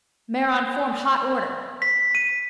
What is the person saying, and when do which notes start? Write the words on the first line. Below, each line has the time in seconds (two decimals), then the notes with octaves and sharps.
Mare on form hot order.
1.82 B6
2.15 D#7